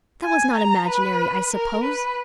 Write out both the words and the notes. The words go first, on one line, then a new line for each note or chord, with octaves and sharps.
"That was not imaginary, I suppose!"
G#5
A#5
B4
A#4
B4